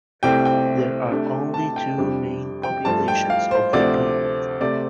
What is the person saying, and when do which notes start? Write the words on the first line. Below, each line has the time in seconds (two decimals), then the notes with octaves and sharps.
There are only two main populations of the breed.
0.23 C2 C3 A3 C4 G5
0.45 G5
1.11 C3 A3 D4
1.54 A5
1.76 G5
1.98 F2 C3 G3 D4
2.63 G5
2.85 G2 F3 A3 A5
3.08 G5
3.30 F5
3.51 C5
3.73 D2 C3 F3 C4 D5
4.61 C3 A3 C4 D5